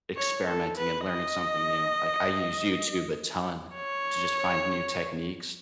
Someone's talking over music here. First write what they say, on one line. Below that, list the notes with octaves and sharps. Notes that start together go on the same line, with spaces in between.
experimenting and learning something new. Like, I use YouTube a ton to just find new techniques,
C#5
A4
B4
D#5
C#5